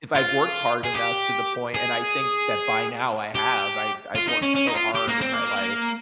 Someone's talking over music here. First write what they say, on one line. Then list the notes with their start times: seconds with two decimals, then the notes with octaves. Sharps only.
if I've worked hard enough to the point and I think that by now I have. I I've worked so hard in my life
0.15 F4
0.84 G#4
0.95 G4
1.75 G#4
3.35 G4
4.15 F4
4.27 D#4
4.42 C#4
4.55 C#4
4.67 D#4
4.74 F4
4.95 G4
5.08 A#3
5.21 C4
5.34 A#3